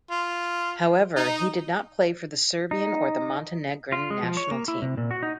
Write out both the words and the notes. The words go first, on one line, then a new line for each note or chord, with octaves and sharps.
However, he did not play for the Serbian or the Montenegrin national team.
F4
D#4
D#4
F4
G#3
F3
C#5
A#3
E4
C3
A#2
F#4
D#4